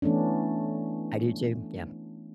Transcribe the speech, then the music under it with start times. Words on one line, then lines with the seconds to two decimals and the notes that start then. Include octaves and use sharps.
I do too, yeah.
0.02 E3 A3 B3 C#4 D4